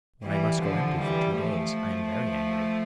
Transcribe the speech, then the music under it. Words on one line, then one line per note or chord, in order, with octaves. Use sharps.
When I must go empty for two days I am very angry.
E3 G3
D3 F3
E3 G3
F3 A3